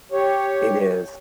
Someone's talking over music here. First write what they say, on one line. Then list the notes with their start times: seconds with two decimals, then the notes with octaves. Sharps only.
It is.
0.12 G4 C#5